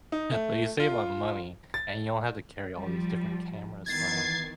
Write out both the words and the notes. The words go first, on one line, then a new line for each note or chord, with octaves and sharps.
so you save a lot of money, and you don't have to carry all these different cameras around.
D#4
A3
F4
A6
F3 G3
D#3 E3 B3 G#6 A6 C7